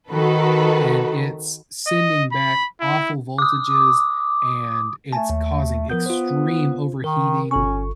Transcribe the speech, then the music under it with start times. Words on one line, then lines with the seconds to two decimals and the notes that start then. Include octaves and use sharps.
and it's sending back awful voltages, and it's causing extreme overheating,
0.11 D#3 F#4 A4 B4
1.87 D#5
2.32 B5
2.80 E4
3.38 D6 D#6
5.13 A3 G#5 A5
5.30 D#2
5.90 F3 B3 A#4 G6
6.06 F4 C5
7.04 D#3 A#4
7.51 G1 C#4 A4 C#6